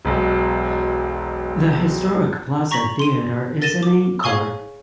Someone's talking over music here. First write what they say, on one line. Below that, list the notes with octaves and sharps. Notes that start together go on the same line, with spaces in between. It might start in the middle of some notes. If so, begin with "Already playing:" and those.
The historic Plaza Theatre is an anchor.
E1 B1
A#5 C#6 A#6 B6 F#7
C6 D#7
A#4 A6 A#6 D#7 E7 G7
D6
G#4 C#5 F5 G#5 C#6 G7